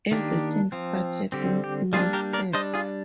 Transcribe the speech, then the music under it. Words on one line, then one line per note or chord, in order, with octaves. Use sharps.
Everything started in small steps.
D#3 A#3 D4 G4
F3 C4
D3 G3 C4 G4
G4
G3 A#3 D4 F4 G#4
G4 A#4
A#4 D5
G3 D4 C5 D#5
F4 G#4